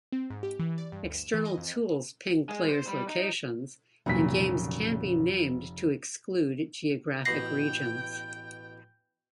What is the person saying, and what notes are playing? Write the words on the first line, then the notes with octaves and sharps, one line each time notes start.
External tools ping player's locations, and games can be named to exclude geographic regions.
C4
G#2
G4
E3
D5
G2
D2
E7
E3
D#5
F2
G#3
C5
G3
D#4
F1 A#2 C#3 F#3 B6
A1 B2 F#5 G5 A#6 C7